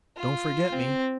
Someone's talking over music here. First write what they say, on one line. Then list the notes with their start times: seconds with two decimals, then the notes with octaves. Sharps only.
"Don't forget me."
0.17 F4
0.72 C4